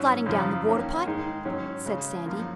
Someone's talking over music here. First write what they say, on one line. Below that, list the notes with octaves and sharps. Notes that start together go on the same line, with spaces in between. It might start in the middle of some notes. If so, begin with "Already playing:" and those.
"Sliding down the water pipe," said Sandy.
Already playing: G#2 F#3 C#4
F#2 C#3 F3
D#3 A#3 C#4
G#2 D#3 G#3 D#4
G#2 F#3 C#4
C#3 G#3 C#4
F#2 F3 A#3